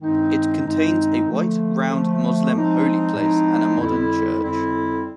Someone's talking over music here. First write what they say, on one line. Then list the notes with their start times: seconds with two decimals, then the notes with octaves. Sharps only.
It contains a white round Moslem holy place and a modern church.
0.01 G2 D#3 G#3 C4 D#4
0.65 G2 D#3 G#3 C4 D#4
1.27 D3 F3 A3
1.90 D3 F3 A3
2.54 A2 F3 G#3 C4 D#4
3.15 A2 F3 G#3 C4 D#4
3.78 F2 D3 G3 C4 E4
4.41 F2 D3 G3 C4 E4